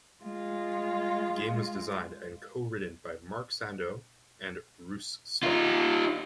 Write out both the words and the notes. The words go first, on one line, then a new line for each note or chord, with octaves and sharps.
The game was designed and co-written by Mark Sandau and Russ Stark.
G#3 F4
D#4 F4